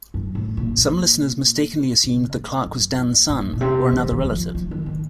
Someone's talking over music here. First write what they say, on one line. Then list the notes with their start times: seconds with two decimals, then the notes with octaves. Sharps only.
Some listeners mistakenly assumed that Clarke was Dan's son, or another relative.
0.14 F#2
0.35 A2
0.57 A#2
0.78 A#2
2.04 C#3
2.35 A#2
2.66 F#2
2.99 A#2
3.30 A#2
3.53 A#2
3.61 C3
3.93 D#3
4.12 D#3
4.24 F3
4.55 F3
4.71 D#3
4.86 D#3